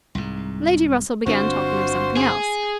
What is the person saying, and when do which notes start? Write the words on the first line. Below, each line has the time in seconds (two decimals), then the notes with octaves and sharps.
Lady Russell began talking of something else.
0.15 C2 G#2
1.26 G1 C4 D4 F4 F#4 C5
2.17 G#4